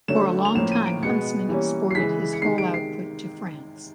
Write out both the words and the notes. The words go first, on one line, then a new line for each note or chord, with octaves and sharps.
For a long time Huntsman exported his whole output to France.
D3 F#3 A3 C#4 E7
F7
A2 F3 A#3 C#4 E7
D#7
D7
B2 G#3 B3 C#7
E3 G3 A#3 C#4
C7
C#3 E3 G#3 B6
C#7
C3 D#3 G#3 C7
D7
C7